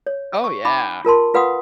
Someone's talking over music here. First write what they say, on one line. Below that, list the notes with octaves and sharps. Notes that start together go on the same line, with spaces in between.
Oh, yeah.
C#5
C#6
D#4 B5 D6
F4 A#4 A5 C6
F4 B4 F5 F#5 C6 D#6